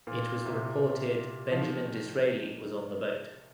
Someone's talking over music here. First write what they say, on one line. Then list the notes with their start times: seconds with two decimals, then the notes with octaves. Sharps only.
It was reported Benjamin Disraeli was on the boat.
0.07 A#2
0.45 C3
1.52 F3
1.61 D#3